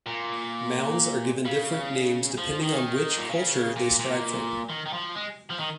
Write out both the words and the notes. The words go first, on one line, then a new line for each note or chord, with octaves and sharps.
Mounds are given different names depending on which culture they strive from.
A#2
C#3
F3
D#3
A#2
C#3
A#2
A#2
D#3
D#3
F3
G#3
F3
D#3